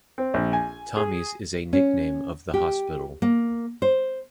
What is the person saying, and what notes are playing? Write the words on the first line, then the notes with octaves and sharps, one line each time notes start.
Tommy's is a nickname of the hospital.
C4
A#1
G#5
G#4
C#4
G4
A#3
C5